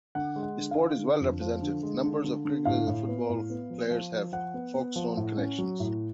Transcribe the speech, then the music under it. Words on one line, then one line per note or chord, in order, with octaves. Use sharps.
Sport is well represented: numbers of cricketers and football players have Folkestone connections.
D3 F#5
G#3
F#5
D3
F5
D3
D3
F2
F3
D3
G#3
D3
D3
D3
A2 F5
A2
B3
A2
B3
F3
F3
F3
F3 F#5
B3
B3
F3
A2
C#4
F#3
A2